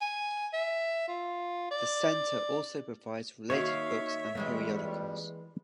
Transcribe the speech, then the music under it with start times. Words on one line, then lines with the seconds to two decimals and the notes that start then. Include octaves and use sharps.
The center also provides related books and periodicals.
0.01 G#5
0.53 E5
1.08 F4
1.71 D5
3.50 D#3 A#3 F#4 C#5 E5 F5
4.35 F2 E3 G3 G#3 A#3